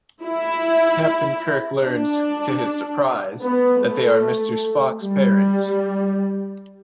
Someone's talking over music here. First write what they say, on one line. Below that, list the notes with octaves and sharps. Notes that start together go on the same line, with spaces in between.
Captain Kirk learns, to his surprise, that they are Mr. Spock's parents.
E4
D4
B3
A3
G3